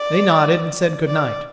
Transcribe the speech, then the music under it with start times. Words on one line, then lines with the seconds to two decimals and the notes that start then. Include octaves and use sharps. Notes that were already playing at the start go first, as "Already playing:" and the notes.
They nodded and said good-night.
Already playing: D5
1.07 D5